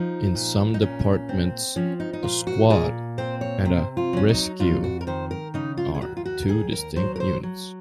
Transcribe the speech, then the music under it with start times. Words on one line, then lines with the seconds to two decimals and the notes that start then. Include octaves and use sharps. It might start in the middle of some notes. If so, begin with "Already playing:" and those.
In some departments, a "squad" and a "rescue" are two distinct units.
Already playing: F3 D#4
0.35 A#2
0.74 D#4
0.82 A#2 C#4
1.29 C4
1.76 F3 C#4
2.00 D#4
2.13 D#4
2.23 A#2 F4
2.47 F#4
2.70 A#2 G#4
3.18 C4 C5
3.41 C#5
3.65 C3 C5
3.97 F4
4.13 F#3 C#4
4.29 D#4
4.60 F2 F4
4.84 F#4
5.01 A#4
5.07 D#3 C5
5.31 A#4
5.54 C#3 D#4
5.77 F4
5.95 G#4
6.01 D#2 F#4
6.17 F4
6.25 F#4
6.43 A#4
6.48 D#2 G#4
6.72 A#4
6.96 F#3 C5
7.16 A#4
7.20 C5
7.43 F#3